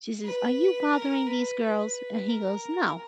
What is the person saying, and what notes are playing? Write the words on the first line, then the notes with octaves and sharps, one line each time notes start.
she says, "Are you bothering these girls?" And he goes, "No."
B4
A#4
B4
B4
A#4